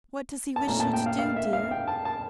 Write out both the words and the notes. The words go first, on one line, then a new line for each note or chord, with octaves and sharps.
'What does he wish you to do, dear?'
A5
A#2 A3 C#4 A#5
A5
G5
F5
F5
E5
F5
G5
A5
A5